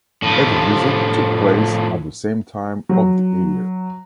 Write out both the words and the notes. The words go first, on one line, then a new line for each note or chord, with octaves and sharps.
Every visit took place at the same time of the year.
A2 F3
F#3